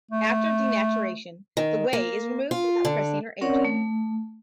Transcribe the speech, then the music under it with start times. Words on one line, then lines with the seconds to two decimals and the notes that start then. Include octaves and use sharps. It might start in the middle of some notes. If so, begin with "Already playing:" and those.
After denaturation, the whey is removed without pressing or aging.
0.11 A3
1.57 D#3
1.93 A#3
2.51 F4
2.85 D3
3.41 C4 C#4 A#4 C#5 D5 F#5
3.65 A3